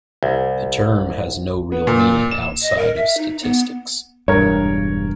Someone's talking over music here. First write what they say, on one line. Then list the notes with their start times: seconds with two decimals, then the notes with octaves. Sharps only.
The term has no real meaning outside of statistics.
0.23 C2
1.72 B3
1.87 A#2
2.31 E7
2.62 D#5
2.77 A#4
2.96 E5
3.18 D#4
3.43 B3
4.28 E1 G2 A#4 C#5